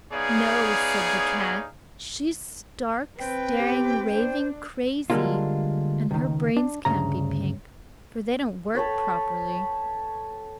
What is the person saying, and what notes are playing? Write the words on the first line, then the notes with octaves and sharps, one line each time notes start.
"No," said the cat; "she's stark, staring, raving crazy, and her brains can't be pink, for they don't work properly."
B3 D#4 G#4 C#5 D5 F5
C4 B4 G5
G4
D4 C5
D3 G3 G#3 A#3 D4 F4
C#2 D#3
D4
D2 G2 C#3 A#5
A4 B4 C#5 G5